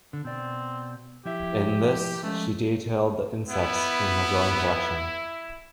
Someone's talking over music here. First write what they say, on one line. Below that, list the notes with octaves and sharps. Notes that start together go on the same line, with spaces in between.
In this she detailed the insects in her growing collection.
D3
B2 C4 D5
F3 E4 G4 E5
F3 G#3 A3 C#4
B3 E4